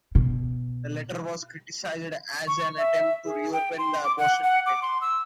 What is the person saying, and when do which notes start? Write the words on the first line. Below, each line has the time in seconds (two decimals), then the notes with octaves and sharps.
The letter was criticized as an attempt to reopen the abortion debate.
0.15 B2
2.47 C#6
2.78 E5
3.25 G#4
3.53 G5
3.78 C6
4.04 D6
4.18 F#5
4.44 F#5
4.66 D6
4.82 C6
5.01 E6